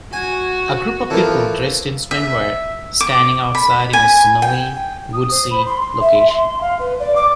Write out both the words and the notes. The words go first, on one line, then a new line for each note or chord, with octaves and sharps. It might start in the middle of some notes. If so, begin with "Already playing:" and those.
A group of people dressed in swimwear standing outside in a snowy, woodsy location.
F#4 G#5
E3 F3 A4 A#4
E5
D6
B5
G#5
G5
D#6
C5
B5
C6
C6
E5
C6
F5
B4
D5
D6